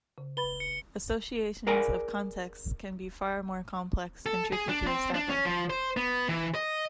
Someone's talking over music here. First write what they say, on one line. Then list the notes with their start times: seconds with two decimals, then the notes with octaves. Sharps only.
Associations of contexts can be far more complex and tricky to establish.
0.18 C#3
0.37 B4 B5 A6 G7
0.60 C#7
1.67 G#4 A#4 D5 G#5 A#5
4.26 A4
4.53 G#4
4.69 D4
4.87 C4
5.14 D4
5.30 C#4
5.45 F3
5.70 C5
5.97 B3
6.29 E3
6.55 D#5